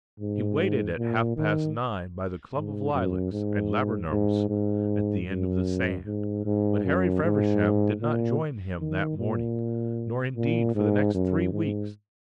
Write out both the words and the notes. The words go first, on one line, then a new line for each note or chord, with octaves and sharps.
He waited at half-past nine by the clump of lilacs and laburnums at the end of the sand, but Harry Feversham did not join him that morning, nor indeed for the next three weeks.
G#2
A#2
D#3
G#2
F#2
G#2
G#2
G#2
F#2
G#2
G#2
F#2
G#2
A#2
D#3
A#2
A#2
G#2
F#2
G#2